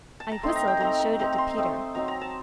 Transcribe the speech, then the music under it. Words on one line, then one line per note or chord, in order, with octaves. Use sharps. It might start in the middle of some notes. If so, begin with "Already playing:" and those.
I whistled and showed it to Peter.
A5
A#5
A3 C4 D#4 C6
A#5
G5
A3 C4 D#4 A#5
A#5
A3 C4 D#4 A#5
C6
A3 C4 D#4
F#3 C4 D#4 A#5
A#5
A5